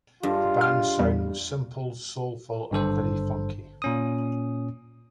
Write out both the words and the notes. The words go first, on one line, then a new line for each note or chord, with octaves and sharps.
The band's sound was simple, soulful and very funky.
G2 G#3 F4
F6
E2 G3
G#1 G2 D3 A4 C5
A#2 C#4 D#6